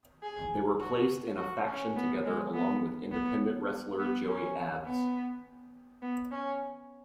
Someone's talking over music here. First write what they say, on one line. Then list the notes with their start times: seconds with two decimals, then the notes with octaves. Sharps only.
They were placed in a faction together along with independent wrestler Joey Abs.
0.23 G#4
0.80 F#4
1.38 F#4
1.67 C#4
1.96 B3
2.26 G#3
2.54 B3
3.12 B3
3.99 B3
4.28 C#4
4.86 B3
6.02 B3
6.31 C#4